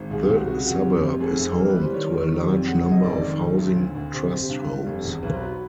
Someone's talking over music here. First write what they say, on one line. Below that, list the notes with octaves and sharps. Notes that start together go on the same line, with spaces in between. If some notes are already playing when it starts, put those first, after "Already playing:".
The suburb is home to a large number of Housing Trust homes.
Already playing: G#1
C2 G#4
G4
C2
F#4
C#3 F#4
F#4
F2
G4
F2
F2
F1 G#4
F1
E3 A#4
B4
G3
C5
D#3 C#5
D#3
G3
F2
C#3 F#5
F1
D#5
G#2 D5
D#3
G#2
A1
D2
D2
C3 C5
C3
G2
G3
F1
E2
B1 B4
C5
F#3 B4